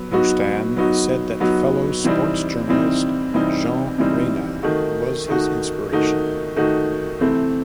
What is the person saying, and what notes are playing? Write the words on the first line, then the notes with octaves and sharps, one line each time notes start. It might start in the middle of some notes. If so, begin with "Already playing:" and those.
Roustan said that fellow sports journalist Jean Raynal was his inspiration.
Already playing: F#3 B3
F#3 B3 D#4 F#4
F#3 B3 D#4 F#4
F#3 B3 D#4 F#4
C3 E3 G3 C4 D#4
C3 E3 G3 C4 D#4
C3 E3 G3 C4 D#4
C3 E3 G3 C4 D#4
D#3 A3 D#4 F#4
D#3 A3 D#4 F#4
D#3 A3 D#4 F#4
D#3 A3 D#4 F#4
C3 E3 A3 C4